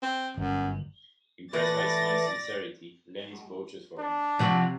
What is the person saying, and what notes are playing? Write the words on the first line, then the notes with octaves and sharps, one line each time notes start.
Impressed by Sonny's sincerity, Lenny vouches for him.
C4
G1 F#2
E3 A3 B4 D5 A6 A#6
D4
C3 F3 C4 F#4 F#5